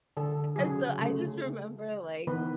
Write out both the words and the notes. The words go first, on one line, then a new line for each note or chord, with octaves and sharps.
and so I just remember, like,
D3 A4
C#3 F#3 G#4
C#3 A3
D#3 E3 B3 B4